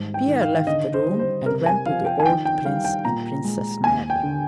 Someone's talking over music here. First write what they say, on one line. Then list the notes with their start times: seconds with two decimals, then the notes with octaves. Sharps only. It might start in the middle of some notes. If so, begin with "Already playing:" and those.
Pierre left the room and went to the old prince and Princess Mary.
Already playing: G#2 D#3 G3
0.14 G5
0.28 D#3
0.41 F5
0.67 D3 D#5
0.94 C5
1.07 G3
1.19 C5
1.46 C3 A#4
1.66 G#5
1.86 F3 F5
2.06 G5
2.20 G#5
2.25 D#3 G5
2.45 G5
2.65 G3 F5
2.85 G5
3.05 A#2 A#5
3.44 G#3
3.84 D#2 G#5
4.10 G5
4.23 D3